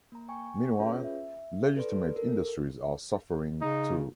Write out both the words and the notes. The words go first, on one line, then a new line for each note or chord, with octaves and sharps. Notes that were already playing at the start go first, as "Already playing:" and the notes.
Meanwhile, legitimate industries are suffering, too.
A#3 A#5
G5 G#5 C#6
C#4 F4 G#4 B4 C#5
E5
G4 A4 B4 D5 C6
A4 A#4
C#3 D#4